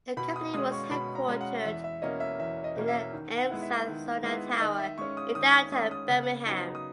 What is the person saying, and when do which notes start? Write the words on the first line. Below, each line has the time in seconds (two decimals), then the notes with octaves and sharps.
The company was headquartered in the AmSouth-Sonat Tower in downtown Birmingham.
0.17 B2 B5
0.36 D#6
0.54 G#3 C#4 D#6
0.72 C#6
0.91 B2 B5
1.15 A#5
1.28 G#3 C#4
1.41 F#5
1.65 E2 E5
1.84 E5
2.02 B2 A#3 C#4 D#5
2.20 E5
2.39 E2 E5
2.64 D#5
2.77 B2 A#3 C#4
2.88 E5
3.13 D#3
3.37 F#5
3.50 G#3 B3 E4
3.63 E5
3.87 D#3
4.23 G#3 B3 E4
4.61 D#3 D#5
4.79 E5
4.98 G#3 C#4 C#6
5.17 D#6
5.35 D#3 D#6
5.53 D#6
5.72 G#3 C#4 D#6
5.91 D#6
6.09 C#3
6.46 F#3 B3 D#4
6.75 D#6